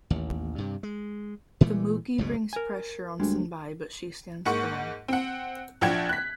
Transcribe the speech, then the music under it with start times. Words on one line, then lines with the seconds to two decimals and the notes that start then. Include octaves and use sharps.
The "mukhi" brings pressure on Sonbai but she stands firm.
0.10 A1 D#2
0.58 G2 C3
0.83 G#3
1.61 A#2 E3 G#3 A3
2.18 F#1 C#2 G#2 B2
2.53 A#4 G#5
3.20 D2 G3 G#3
4.46 G#2 A#3 F#5 C#6
5.08 C4 F#5
5.81 A#1 F3 D4 F#5 G5 G#6
6.09 F#6 B6